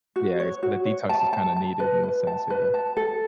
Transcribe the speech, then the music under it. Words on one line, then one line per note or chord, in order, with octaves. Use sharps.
Yeah, is so the detox is kinda needed in the sense, yeah.
F#4
C#5
F#4
C#5
A5
A5
A5
B4
B4
A5
B4
A5
A4